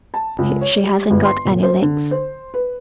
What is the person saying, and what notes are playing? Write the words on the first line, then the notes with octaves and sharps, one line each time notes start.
She hasn't got any legs.
A5
C#2
C#5
G3
G1
C6
D#1
C5
D3
C5
B4